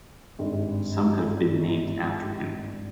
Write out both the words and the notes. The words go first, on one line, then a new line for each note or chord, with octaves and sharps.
Some have been named after him.
G#1 G2